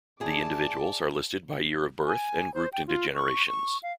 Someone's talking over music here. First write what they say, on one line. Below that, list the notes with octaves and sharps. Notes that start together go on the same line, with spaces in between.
The individuals are listed by year of birth and grouped into generations.
E4 G#4 D5 A5
G#5
C5
G5
F4
C#6
C#6
F5